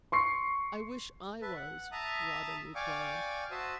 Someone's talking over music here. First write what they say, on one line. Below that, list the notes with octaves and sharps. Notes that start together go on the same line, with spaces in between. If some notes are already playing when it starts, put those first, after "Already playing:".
"I wish I was," Rawdon replied.
C6 C#6 C7
B4 E5 A5
F#5
E5 A5 A#5 D#6
D5 F5 G5 G#5 C#6 D6
F#4 C5 E5 A5 D#6 E6